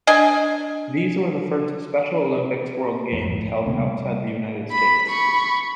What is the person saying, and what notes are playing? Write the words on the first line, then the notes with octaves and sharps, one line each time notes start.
These were the first Special Olympics World Games held outside the United States.
D4 D#5 G#5
A#1 F2
D2 G#2
A3
D2 C3 A#3 B3
C3 G3
B5
B5 C#6